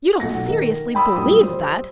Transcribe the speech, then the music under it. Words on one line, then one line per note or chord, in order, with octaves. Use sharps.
"You don't seriously believe that?"
B1 A4 F#5 A#6
D#3 A#4
G5 B5 D#6 E6
A#1 F#2 G3 D#6
C5